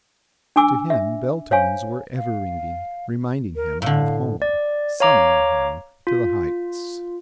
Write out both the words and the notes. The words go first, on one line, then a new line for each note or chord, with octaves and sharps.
To him bell tones were ever ringing, reminding him of home, summoning him to the heights.
D4 G#5 D6 E6
E5
C5 C#5 F5 G#5
F5
A#4
A2 D3 F5
D5
C#5 F5 A#5 D6
F4